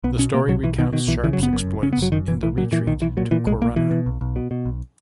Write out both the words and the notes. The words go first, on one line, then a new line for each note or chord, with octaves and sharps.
The story recounts Sharpe's exploits in the retreat to Corunna.
B1 B3
B2 C#4
B2 A#3
B1 F#3
B1 E3
B2 D#3
B2 D#3
B1 E3
C#3 E3
F#3
F#1 B3
F#2
F#1
C#3 C#4
B3
F#1 F#3
F#2 D#3
F#1 E3
B1 E3
A#2 F#3
A#2 E3
B1 D#3
B1 E3
A#2 F#3
A#2 E3
B1 G#3
B1 A#3
B2 E3
B2
B1
B1
B2
B2
B1